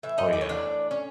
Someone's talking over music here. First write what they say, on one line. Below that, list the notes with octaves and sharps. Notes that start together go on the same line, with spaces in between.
Oh, yeah.
A2 E3 E5
D#4 D#5
D5
C#5
D4 D5
C#4 C#5